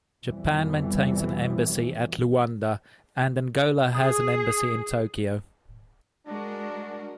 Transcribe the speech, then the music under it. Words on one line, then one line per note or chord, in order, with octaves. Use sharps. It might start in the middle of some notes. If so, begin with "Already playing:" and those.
Japan maintains an embassy at Luanda and Angola has an embassy in Tokyo.
F2 B2 E3 G3
G#4 D#6
G#3 D4 F#4 A#4